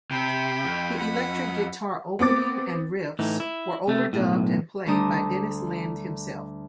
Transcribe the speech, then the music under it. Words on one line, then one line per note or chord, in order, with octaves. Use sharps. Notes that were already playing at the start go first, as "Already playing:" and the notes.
The electric guitar opening and riffs were overdubbed and played by Dennis Linde himself.
C3 G5 B5
F2
F#5 B5
B3 C4 D6 A6
A2 E3 D#4
E4
C3 A3
B1 A2
D2 D3 G3 D4 A#5 D#6